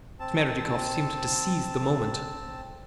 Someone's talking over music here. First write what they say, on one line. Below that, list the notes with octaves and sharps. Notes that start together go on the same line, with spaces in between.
Smerdyakov seemed to seize the moment.
C4 A5